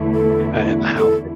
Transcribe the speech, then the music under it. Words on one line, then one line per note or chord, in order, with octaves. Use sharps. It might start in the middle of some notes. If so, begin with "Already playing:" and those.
uh, in the house
Already playing: E2 D3 A3 E4
A4
A4